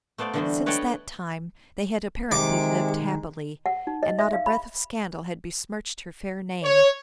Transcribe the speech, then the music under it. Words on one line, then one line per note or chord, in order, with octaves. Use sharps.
Since that time they had apparently lived happily, and not a breath of scandal had besmirched her fair name.
A3 B3 C5 D5 F5
D3 E3 G3 B3 F#4 C5
B4 C#5 D#5 F#5 G5 A5
C3 D#3 G#3 D6
F#5
D#4
D#5
E5
F5
B5
C#5